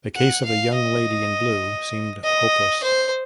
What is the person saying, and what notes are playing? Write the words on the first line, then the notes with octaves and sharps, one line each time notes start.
The case of the young lady in blue seemed hopeless.
F#5
F5
D#5
D#5
C5